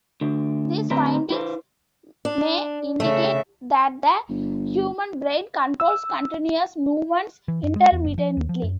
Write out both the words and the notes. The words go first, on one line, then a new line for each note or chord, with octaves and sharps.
These findings may indicate that the human brain controls continuous movements intermittently.
D2 D3
A2 D3 C4 B4 A#5
E4 B4 C5
D4
C#3 A3 E5
G1
E6
E3
F#2
G#3
E2
F#1
F3
D#2
F3
F#2